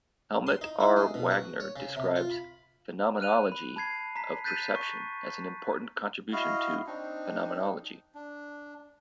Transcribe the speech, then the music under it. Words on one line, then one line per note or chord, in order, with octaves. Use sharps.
Helmut R. Wagner describes "Phenomenology of Perception" as an important contribution to phenomenology.
C6
D#4
E4
G#3
B2
F#4
C#5
C#3
C3
F4
B5
F6 F#6 D#7 F7
B5
A5 B5 G#6 C7
A#5 B6
F#6 G6 A6 B6 D#7
C#6
E4 F#4 D#5 F5
C4 D4 D#4
D4